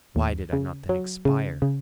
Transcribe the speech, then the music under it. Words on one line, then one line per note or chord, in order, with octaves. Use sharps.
Why did I not then expire!
D#2
C#3
F#3
C#3
C#3